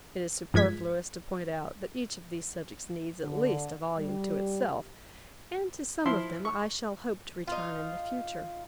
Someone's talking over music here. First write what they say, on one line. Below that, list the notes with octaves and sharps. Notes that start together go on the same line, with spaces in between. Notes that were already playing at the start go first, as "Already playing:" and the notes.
It is superfluous to point out that each of these subjects needs, at least, a volume to itself: and to some of them I shall hope to return in the future.
G2 F3 G#3 G#6 B6
D3
G3
F3 E4 C6
C#6
D#4 F4